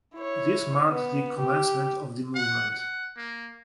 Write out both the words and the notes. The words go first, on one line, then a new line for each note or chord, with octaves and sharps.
This marked the commencement of the movement.
E4 C#5
B3
G4
F#5
F#5
A#3